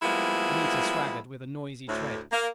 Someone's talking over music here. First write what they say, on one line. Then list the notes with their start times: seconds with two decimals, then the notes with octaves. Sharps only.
Anita swaggered with a noisy tread.
0.03 F3 G3 G#3 A#3 B3 E4
1.88 D2 A2
2.32 A#3